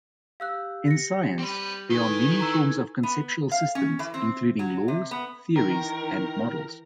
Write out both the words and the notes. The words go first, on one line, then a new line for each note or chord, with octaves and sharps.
In science, there are many forms of conceptual systems including laws, theories, and models.
G4 F5 E6 F#6
A#6 C#7
G3 C4 B4
D#3 D#4 E4 A4 B4 G#5
A#5 C#6 E6
B3
F5
C#4
E3
C4
F#3
C3
B3
D#3 E3 A#4